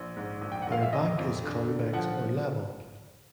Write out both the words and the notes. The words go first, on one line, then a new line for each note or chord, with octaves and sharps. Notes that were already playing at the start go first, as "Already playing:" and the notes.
Their back is convex or level.
Already playing: A#1
G#2
A#1
G5
F#5
A#1 F5
E5
F2 D#5
F2
D3
D3
F3 F#5